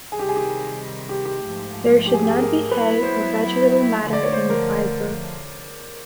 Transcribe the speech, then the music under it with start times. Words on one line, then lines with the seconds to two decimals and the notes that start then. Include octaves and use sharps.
There should not be hay or vegetable matter in the fibre.
0.12 C3 D#3 G3 G#4
0.19 G4
0.29 G#4
0.37 G4
1.09 G4
1.25 G4
1.41 G#2 F3 A3
2.06 G4
2.14 G#4
2.22 G4
2.30 G#4
2.38 A#4
2.71 F#3 B3 E4 B4
3.03 C5
4.00 D3 F3 A3
4.13 D5
4.23 C#5
4.32 C5
4.49 A#4